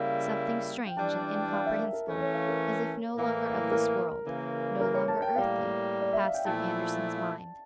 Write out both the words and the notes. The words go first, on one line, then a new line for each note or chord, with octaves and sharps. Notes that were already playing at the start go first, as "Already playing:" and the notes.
Something strange and incomprehensible, as if no longer of this world, no longer earthly, passed through Andersen's mind.
Already playing: C#3 G3 A#3 E4 F5
G5
E3 G3 D4 A5
A5
G5
F5
E5
A#4
A#4
E3 A3 C#4 A4
C#5
F5
A#4
A2 E3 A#3
A#4
C#3 E3 A#3
A#4
C#5
A5
G5
A2 G3 A#3 F5
D5
E5
F5
G5
A#2 F3 A3 E4 A5